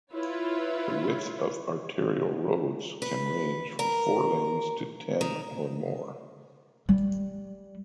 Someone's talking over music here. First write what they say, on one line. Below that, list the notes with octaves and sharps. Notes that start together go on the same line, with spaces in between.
The width of arterial roads can range from four lanes to ten or more.
E4 F4 B4 C#5
B4
A#4
D#3
G3